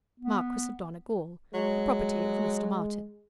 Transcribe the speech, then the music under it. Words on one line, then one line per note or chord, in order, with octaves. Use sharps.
Marquis of Donegal, the property of Mr. Martin.
B3
F#3 G#3